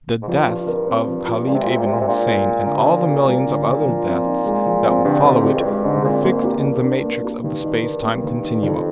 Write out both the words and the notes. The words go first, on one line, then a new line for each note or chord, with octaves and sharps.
The death of Khalid ib'n Hussein, and all the millions of other deaths that would follow it, were fixed in the matrix of the space-time continuum.
G#2
G2 F3
F4
A#4
C4
F3
F4
A#2 G#3
C3
A#2
C3 F4
A#2
C3 G#3
A#2
C3
A#2 D4
G#3
F4
A#2 D3
C3
A#2 D4
G4
G3
D3
D4
F3
C4
D#4
G#3
F3
C4
G2 D3
G#2 C4
G2 G4
F2
G2 G#3
G#2 D3
A#2 C4
G#2 A#3
G#2
G2 G4
G#2
G2 A#4
D4
A#3
G4
G2 D#3
D#4
A#4
A#3
D#3
D#4
F2 D#3